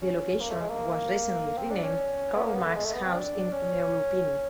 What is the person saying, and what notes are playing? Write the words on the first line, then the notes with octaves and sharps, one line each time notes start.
The location was the recently renamed Karl Marx House in Neuruppin.
C#4
A#3
A3
G#3
A#3
C4
D4
C#4
B3
A#3
B3
A3
G#3
A3
B3
C4
D4
C#4